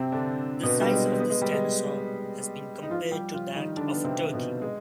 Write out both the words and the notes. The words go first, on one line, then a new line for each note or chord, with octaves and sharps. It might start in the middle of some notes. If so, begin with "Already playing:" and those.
The size of this dinosaur has been compared to that of a turkey.
Already playing: C3 C4
D3 D4
B2 B3
G3
G#3
B3
G#3
G3
G#3
D#4
F3 F4
G3 G4
F3 F4
D#3 D#4
D3 D4
B3
C3 C4
B2 B3
G#3